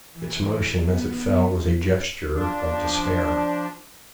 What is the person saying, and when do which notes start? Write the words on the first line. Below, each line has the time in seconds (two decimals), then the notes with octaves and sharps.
Its motion as it fell was a gesture of despair.
0.13 E3
0.88 B3
2.35 F3 D4